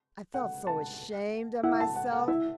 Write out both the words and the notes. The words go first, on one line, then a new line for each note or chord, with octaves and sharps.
I felt so ashamed of myself.
F#5
A5
E4 F#5
A5
F#5
F#5
E4 E5